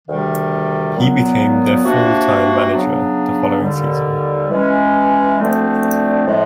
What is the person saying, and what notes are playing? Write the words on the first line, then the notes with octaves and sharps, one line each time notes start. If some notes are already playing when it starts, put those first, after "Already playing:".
He became their full-time manager the following season.
D2 C3 D#3 G3
A#2 F#3 B3
C3 F3 A#3 D4 F#4
C#3 F#3 B3 D4
D#2 D3 G3
E3 G#3 C#4
D2 D3 F3 A3 C4
A2 F3 G#3